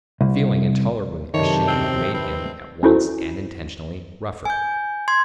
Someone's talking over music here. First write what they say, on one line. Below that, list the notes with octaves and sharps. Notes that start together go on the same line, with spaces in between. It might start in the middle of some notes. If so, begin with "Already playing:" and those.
Feeling intolerably ashamed made him, at once and intentionally, rougher.
C2
F#2 C3 D#3 A3 D4 C#5
C4
C4 B4
C#4 D#4 E4 F#4 A4 C5
G#5 G6
C6 G#6